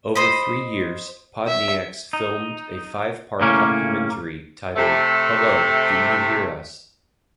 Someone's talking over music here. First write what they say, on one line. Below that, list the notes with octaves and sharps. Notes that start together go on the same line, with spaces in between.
Over three years, Podnieks filmed a five-part documentary titled "Hello, do you hear us?".
C5 D#5 B5
E5
D#4
A2 C#3 A#3 C#4
C3 A3